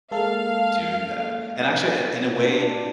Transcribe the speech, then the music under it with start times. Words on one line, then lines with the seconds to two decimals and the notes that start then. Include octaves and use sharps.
doing that. And actually, i in a way,
0.11 G#3 A#3 A4 F5
2.43 D4